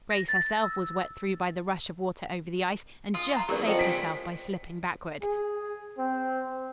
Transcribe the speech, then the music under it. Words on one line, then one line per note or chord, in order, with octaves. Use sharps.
Grace herself was wet through by the rush of water over the ice, and just saved herself by slipping backward.
A#6
A6
E6
F4 C6 D#6
A#5 C6
F1 E2 G2 F#3 G4 A#4 D5
F3 A4 A#4 D#5 F#5 G5
C#3 G#3 B6 D7
G#4
C4